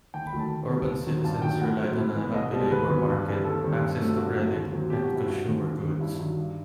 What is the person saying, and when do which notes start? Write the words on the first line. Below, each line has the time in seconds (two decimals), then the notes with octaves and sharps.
Urban citizens relied on a healthy labor market, access to credit, and consumer goods.
0.14 D#2 G5
0.27 B5
0.33 D#3 F#3 A3
0.39 A5
0.51 D#2
0.69 D#3 G3 B3
0.88 D#2
1.06 D#3 F#3 C4
1.24 G2 A5
1.42 D#3 F#3 G5
1.61 A2 F#5
1.79 F#3 C4
1.98 A2
2.15 E3
2.21 B3
2.34 C2 D#5
2.52 B2 G3 C4
2.70 D#2 B4
2.89 D#3 F#3 B3
3.08 G2
3.25 E3 G3 C4
3.44 D#2 A4
3.63 D#3 G3 C4
3.81 G2
3.99 F#3 A3 C4
4.17 G2 F#4
4.35 F#3 A3 C4
4.54 D#2
4.72 D#3 F#3 C4
4.90 B2 G4
5.03 F#4
5.08 F#3
5.13 C4 E4
5.27 G2 F#4
5.45 D#3 A3 C4
5.63 D#2
5.83 D#3 G3 C4
6.00 G2 E4
6.18 D#3 F#3
6.37 G2